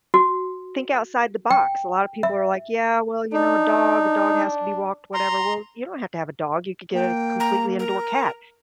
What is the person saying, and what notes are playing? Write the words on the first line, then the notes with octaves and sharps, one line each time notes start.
think outside the box, a lotta people are like, "Yeah, well you know, a dog, a dog has to be walked, whatever." Well you don't have to have a dog, you could get a completely indoor cat,
F#4
G5
E5
D4 D#4
A#5 C6
A#3 G5
A#5
A#4 A#5